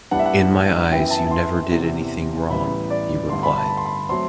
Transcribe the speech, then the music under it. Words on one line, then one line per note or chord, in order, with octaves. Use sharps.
"In my eyes, you never did anything wrong", he replied.
A2 G3 B3 D4 F#5
E5
F#5
F#2 E3 B3 E4 G5
A5
C6
E2 C3 E3
A1 A2 G3 B3 B5
D5
G1 G2 D3 A3 C6
B5
A5
B5
C6
B5
F#3 A3 C4 C6